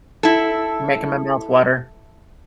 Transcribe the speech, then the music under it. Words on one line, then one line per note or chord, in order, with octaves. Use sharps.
Making my mouth water.
E4 A4